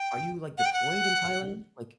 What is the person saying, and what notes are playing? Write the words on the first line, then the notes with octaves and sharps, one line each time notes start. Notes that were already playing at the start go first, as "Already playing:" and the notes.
Are you, like, deployed in Thailand? Like
Already playing: G5
F#5
G5
F#5